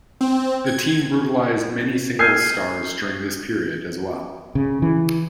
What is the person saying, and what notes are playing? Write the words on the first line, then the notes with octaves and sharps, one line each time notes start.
The team brutalized many singles stars during this period as well.
C4
G#6
E6 F6 G6 G#6 C7 D#7
C#3
E3